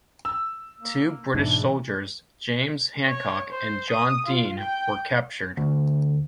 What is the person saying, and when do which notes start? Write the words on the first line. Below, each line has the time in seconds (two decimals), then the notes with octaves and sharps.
Two British soldiers, James Hancock and John Dean were captured.
0.25 E6
0.81 A#3
1.34 G#2 B2 E3 D4
3.06 C#5
3.52 C5
3.90 D#6
4.26 F4
4.59 G5
5.57 D2